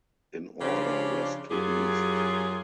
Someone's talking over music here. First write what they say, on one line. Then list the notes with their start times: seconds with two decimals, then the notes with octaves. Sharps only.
In order west to east.
0.61 C#3 F3 D4 G4 C5 C#5
1.51 F#2 F#3 F4 G4 G#4